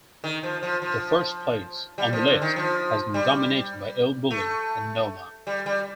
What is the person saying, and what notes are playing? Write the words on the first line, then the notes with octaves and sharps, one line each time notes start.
The first place on the list has been dominated by elBulli and Noma.
D#3
F3
F3
F3
G3
F3
D3
D#3
F3
G3
A3
G3
G3